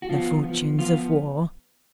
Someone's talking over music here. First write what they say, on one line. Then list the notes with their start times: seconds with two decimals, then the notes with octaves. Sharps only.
"The fortunes of war ..."
0.02 F#4
0.09 F3 B3 F4
0.44 B3
0.49 F3
0.78 F3 B3 F4